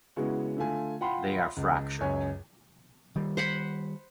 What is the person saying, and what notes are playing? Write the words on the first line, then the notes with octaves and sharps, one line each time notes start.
They are fractured.
C#3 G#3 B3 E4 F#4
D3 A3 F4 G#5
F4 F#5 G5 B5 C6
C#2
C#2 F#2 C#5 G#5
D#3 G3
C5 F#5 B5